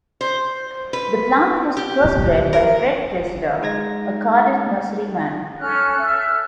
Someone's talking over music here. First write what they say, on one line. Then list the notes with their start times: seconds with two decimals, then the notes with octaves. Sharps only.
The plant was first bred by Fred Treseder, a Cardiff nurseryman.
0.21 C5
0.93 B4
1.77 G4
2.53 A#4
3.62 G#3 D#4 G#6 A#6
5.61 C#4 A4 F6 F#6
5.99 E5